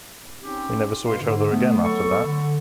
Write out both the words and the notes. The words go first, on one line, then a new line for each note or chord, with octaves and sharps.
We never saw each other again after that.
C4 C#4 D#4 G4
B2 A#3 B4 F5 C6
G#2 D3
A3 B3
F#3 B3 A4 C#6
D3